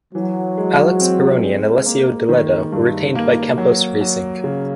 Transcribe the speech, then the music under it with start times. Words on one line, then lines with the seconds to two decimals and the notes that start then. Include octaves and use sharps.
Alex Peroni and Alessio Deledda were retained by Campos Racing.
0.14 E3 F#3
0.58 G#3
1.01 C4
1.43 G#3
1.86 A#3
2.29 D#3
2.72 G2
3.15 A#3
3.58 F#3
4.01 F#3
4.44 C#3